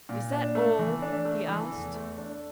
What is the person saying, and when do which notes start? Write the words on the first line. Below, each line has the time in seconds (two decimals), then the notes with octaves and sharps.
"Is that all?" he asked.
0.09 A#2
0.32 D4
0.55 A3
0.79 E3
1.02 D4
1.25 A3
1.48 E3
1.72 E2
1.94 A3
2.18 D4